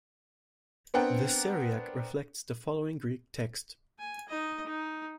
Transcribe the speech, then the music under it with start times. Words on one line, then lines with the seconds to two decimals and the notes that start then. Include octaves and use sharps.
The Syriac reflects the following Greek text.
0.94 B3 C4 D4 A#4 F#5 G5
3.99 G#5
4.28 D#4 D#5
4.66 D#4